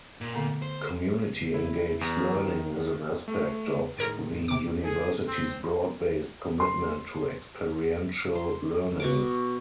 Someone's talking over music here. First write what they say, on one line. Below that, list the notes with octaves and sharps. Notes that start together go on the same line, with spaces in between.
Community-engaged learning is an aspect of the university's broad-based commitment to experiential learning.
A#2
D3 A3 B3
C5
E4
E2
D#3
A3
A2 D#3 G#3 A#4 G#6 D7
C3 D6
D#4 G#4 A4
C4
C6
C6
B2 C#6 D6